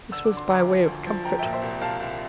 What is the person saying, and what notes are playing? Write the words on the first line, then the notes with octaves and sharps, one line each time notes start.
This was by way of comfort.
D3 E6
D6
D3
C6
D2 A#5 D6
F3
D2
F3
F3 G5 A#5
E5 G5
A#2
C5 E5
C2
C2 F5 A5
C2